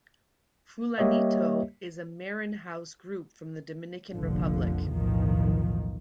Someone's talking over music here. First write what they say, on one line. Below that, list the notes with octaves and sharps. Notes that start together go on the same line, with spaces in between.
Fulanito is a Merenhouse group from the Dominican Republic.
G3 A#3 G4 C#5 D#5 E5
F1 A#1 D3 F3
B1 E2 A2 D#3 F3